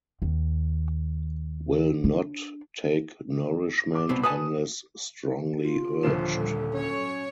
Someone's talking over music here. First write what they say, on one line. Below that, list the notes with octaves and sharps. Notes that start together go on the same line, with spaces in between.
Will not take nourishment unless strongly urged.
D#2
D4
D6
C2 B2 C4
B4 G#5 A5 D#6
F4
D#1 D3 F3 E7
A#2 G3 A4
F#3 C#4 C#5